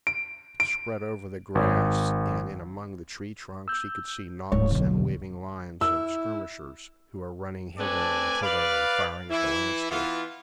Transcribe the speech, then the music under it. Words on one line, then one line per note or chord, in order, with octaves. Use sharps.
Spread over the grass and in among the tree trunks, he could see knots and waving lines of skirmishers who were running hither and thither and firing at the landscape.
D7
D7
G#1
E6 G6
D1 G#2 C#5
A#1 E2 B2 D3 F#3
E4 E6
A3 C4 D4 B4 D5 G#5
B4 D5 F5
E3 E4
E3 B3 F4